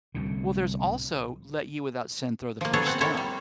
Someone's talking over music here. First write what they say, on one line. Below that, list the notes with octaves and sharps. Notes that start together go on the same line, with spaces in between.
Well, there's also “Let you without sin throw the first stone,”
C2 A2 D3
F3 A#3
B3 G#4 A4 C#5 A#5
C4 F#5
C4 E4 A4 A#4 C#5
G3